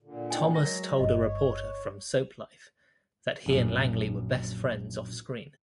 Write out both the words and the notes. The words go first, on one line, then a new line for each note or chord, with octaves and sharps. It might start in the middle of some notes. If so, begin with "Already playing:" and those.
Thomas told a reporter from "Soaplife" that he and Langley were best friends off-screen.
A#2 D3
D#4 D#5 G5 G#5
F#3 G#3 A#4 A#6
G1 G2 D#5
C#5
A#1 F#2